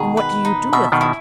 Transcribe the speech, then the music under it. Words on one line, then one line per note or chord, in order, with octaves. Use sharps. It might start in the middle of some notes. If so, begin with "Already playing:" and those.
"And what do you do with it?"
Already playing: B2 D#3 G#4
B4
D#4
B2 E5
B2 D#3
E4